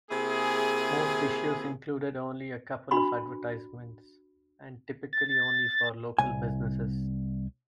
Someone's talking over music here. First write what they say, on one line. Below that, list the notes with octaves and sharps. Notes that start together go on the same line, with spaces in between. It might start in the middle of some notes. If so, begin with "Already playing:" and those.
Most issues included only a couple of advertisements, and typically only for local businesses.
C3 A#3 E4 G#4
D4 F#4 B5 C6
A6
C2 G#5